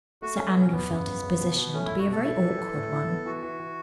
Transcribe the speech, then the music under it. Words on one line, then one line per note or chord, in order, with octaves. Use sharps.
Sir Andrew felt his position to be a very awkward one.
A3 F#4
A3 C#4
B3
B2 C#4
E2 B3
F#1
F#1
F#1
B2
B2
A3 C#4
F#1 E4
F#4
B2 A4
E4
E3
E3
A2
E4
B3
E3 F#4
E3
E3